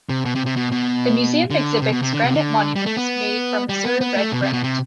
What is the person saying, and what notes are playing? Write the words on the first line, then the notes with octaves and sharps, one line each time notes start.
The museum exhibits granite monuments made from Missouri Red Granite.
C3
B2
C3
C3
B2
B2
D3
C3
B2
C3
D3
C3
D3
G3
A3
B3
G3
B3
B3
A3
B2
C3
B2
C3